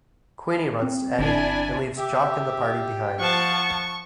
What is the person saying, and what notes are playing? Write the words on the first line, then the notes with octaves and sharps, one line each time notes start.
Queenie runs to Eddie and leaves Jock and the party behind.
C4
G1 D4 E4 G#5
G4 E5
F3 F#5 A5 C#6